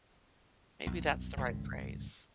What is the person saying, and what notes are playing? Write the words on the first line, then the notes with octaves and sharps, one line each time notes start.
Maybe that's the right phrase.
B1 F2
G#1 C#2 A2